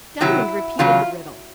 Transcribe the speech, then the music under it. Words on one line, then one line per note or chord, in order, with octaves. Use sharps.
Diamond repeated the riddle.
C3 D#3 F#3 E4
E2 C#3 F#3 F4